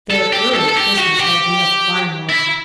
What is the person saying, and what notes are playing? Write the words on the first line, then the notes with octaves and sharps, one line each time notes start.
Their early Christmas had been a fine one.
A4
G4
A4
A4
G4
F#4
G4
E4